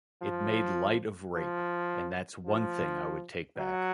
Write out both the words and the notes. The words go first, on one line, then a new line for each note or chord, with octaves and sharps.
It made light of rape, and that's the one thing I would take back.
F3
F3
F3
F#3